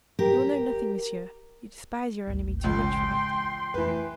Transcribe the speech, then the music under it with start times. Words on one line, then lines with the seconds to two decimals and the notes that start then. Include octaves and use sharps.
"You will know nothing, monsieur; you despise your enemy too much for that."
0.19 G4 A#4
2.27 G#1 D2
2.64 C#2 G5 C6
3.34 E3
3.74 F2 E3 A3 B4